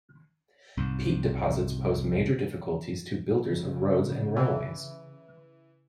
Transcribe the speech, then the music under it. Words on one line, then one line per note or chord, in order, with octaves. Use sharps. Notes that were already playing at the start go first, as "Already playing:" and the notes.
Peat deposits pose major difficulties to builders of roads and railways.
C2 G#2
C#3
E3